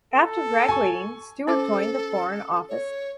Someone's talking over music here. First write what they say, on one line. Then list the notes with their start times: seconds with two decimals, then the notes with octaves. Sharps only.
After graduating, Stewart joined the Foreign Office.
0.14 A4
0.68 G#5 C#6
1.47 C#4 A4 C5 D6
2.69 C#5